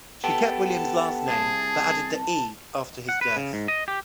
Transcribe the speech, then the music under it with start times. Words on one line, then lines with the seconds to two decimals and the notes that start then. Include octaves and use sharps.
She kept William's last name but added the "e" after his death.
0.24 B3 G4 A4 A5
1.28 C2 G#4
3.09 F#5
3.21 B4
3.37 C#3
3.53 G#2
3.68 D#5
3.88 G4